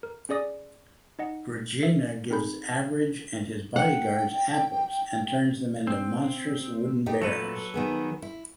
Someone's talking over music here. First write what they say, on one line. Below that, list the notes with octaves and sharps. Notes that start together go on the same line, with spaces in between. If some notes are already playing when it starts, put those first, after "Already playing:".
Regina gives Average and his bodyguards apples and turns them into monstrous wooden bears.
A#4
C#4 G#4 D5 D#6 A#6
D#4 D#5 F#5
E5
C4 D#4 G#4 B5 G6
F#5 G5
C4
A3 D#4 G4
A#2 F#3 A3 A4 B4
D#3 B3 G#4
E4